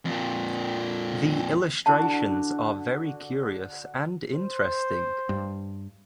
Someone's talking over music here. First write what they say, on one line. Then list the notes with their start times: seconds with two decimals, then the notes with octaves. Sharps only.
The illustrations are very curious and interesting.
0.05 F2 A#2
1.86 D3 D4 E4 F#4 A5
4.32 C5
5.29 G2